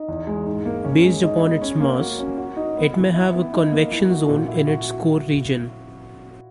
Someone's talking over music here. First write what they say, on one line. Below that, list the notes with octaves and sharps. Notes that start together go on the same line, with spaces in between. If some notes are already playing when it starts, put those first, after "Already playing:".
Based upon its mass, it may have a convection zone in its core region.
Already playing: D#4
E2
G#3
G#2
A#3
C#4
G#3
D#4
B3
C#4
A#3
F#4
C#4
F#4
D#4
B3
E3
E4
B3
D#4
A#3
E3
F#4
A#2
E4
F#4